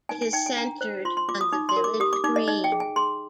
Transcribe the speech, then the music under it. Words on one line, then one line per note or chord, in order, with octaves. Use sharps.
It is centered on the village green.
D#4 G#5
G#5
D#4 G5
G#5
D4 A#5
C5
F4 C6
C6
F4 D6
D#6
D#4 D6
C6
A#4
D6
G4 D#6
D6
D#4 D6
D#5
D#4 D#5
G5
G#4
G#5
G#4 C6